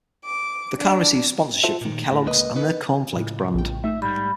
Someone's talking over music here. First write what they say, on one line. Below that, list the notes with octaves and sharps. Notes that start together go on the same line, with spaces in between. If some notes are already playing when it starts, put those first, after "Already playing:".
The car received sponsorship from Kellogg's and their Corn flakes brand.
D6
D4
F4 F#4 A4 C5 E5
A#2 D#3
A2
C#2 A#3 B4 D#5
D#4 B4
C#2 A2
A#1 G5
A3 D#4 E5
G#2 G3 B5